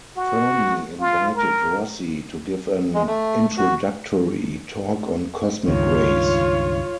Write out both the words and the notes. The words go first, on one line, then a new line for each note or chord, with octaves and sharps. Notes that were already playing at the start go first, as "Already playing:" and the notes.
Fermi invited Rossi to give an introductory talk on cosmic rays.
F#4
F4
A#4
G#3
A3
F#4
C#2 G2 D#3 F4 C#5